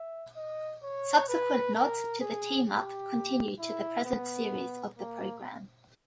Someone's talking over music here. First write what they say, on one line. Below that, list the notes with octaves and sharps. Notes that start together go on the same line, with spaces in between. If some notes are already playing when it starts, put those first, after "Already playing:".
Subsequent nods to the team-up continue to the present series of the programme.
Already playing: E5
D#5
C#5
B4
A#4
G#4
G4
E4
B3
A#3